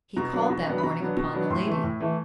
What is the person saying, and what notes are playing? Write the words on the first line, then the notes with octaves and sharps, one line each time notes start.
He called that morning upon the lady.
B2 A#5
F#3 B3 D4
B2
F#3 B3 D4
B5
B2 A#5
F#3 B3 D4
B2
F#3 B3 D4
A2 C6
E3 A3
A2
E3 A3